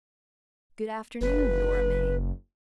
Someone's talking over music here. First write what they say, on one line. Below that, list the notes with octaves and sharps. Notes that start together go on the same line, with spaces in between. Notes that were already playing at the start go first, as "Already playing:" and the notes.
Good afternoon, Nora May.
F#1 B4